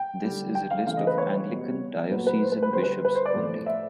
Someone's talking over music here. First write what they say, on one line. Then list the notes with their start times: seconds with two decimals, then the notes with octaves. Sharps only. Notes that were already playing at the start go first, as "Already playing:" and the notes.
This is a list of Anglican Diocesan Bishops only.
Already playing: G5
0.24 D3 G3
0.55 G5
0.71 F5
0.86 C#3 E3 A3 F5
0.97 D#5
1.07 B4
1.18 C#5
1.48 B2 G3
2.11 A#2 F#3 A3 B4
2.27 B4
2.43 C5
2.52 B4
2.63 B4
2.73 D3 G3 C5
2.83 B4
3.05 B4
3.15 C5
3.26 D5
3.36 A2 F3 A3
3.66 E5